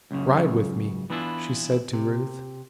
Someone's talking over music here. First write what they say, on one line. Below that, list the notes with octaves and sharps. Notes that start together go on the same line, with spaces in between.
"Ride with me," she said to Ruth.
C#2 F#2 C#3
E3 B3 D4 E4 F4
C3